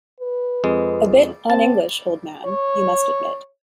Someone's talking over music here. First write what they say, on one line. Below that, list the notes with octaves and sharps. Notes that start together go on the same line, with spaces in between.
A bit un-English, old man, you must admit.
B4
F2 G#3
C4 A5
C#5